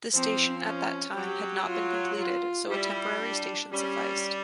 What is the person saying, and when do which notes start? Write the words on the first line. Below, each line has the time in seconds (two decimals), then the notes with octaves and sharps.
The station at that time had not been completed so a temporary station sufficed.
0.14 F3 C4
0.65 C#4
1.16 F#3 G4
1.67 F4
2.18 F4
2.69 G3 E4
3.21 D4
3.72 G3 C#4